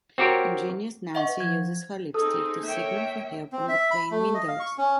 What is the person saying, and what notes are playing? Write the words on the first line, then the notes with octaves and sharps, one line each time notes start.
Ingenious Nancy uses her lipstick to signal for help on the plane windows.
C4 F#4 G4 A#4 C#5
D#5 E5 F#5 C#6
B4
F3 G#6
C4 D#4 G#4 A4 D#6 E6
A#3 C#5 E5 G5 G6
C4
E5
B5
A3
D#5
F5
C#6
C#4